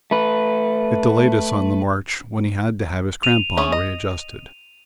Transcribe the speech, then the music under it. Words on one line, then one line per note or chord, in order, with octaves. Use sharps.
It delayed us on the march, when he had to have his crampon readjusted.
A3 B4
D#7 F7
A3 C#4 G#4
D#5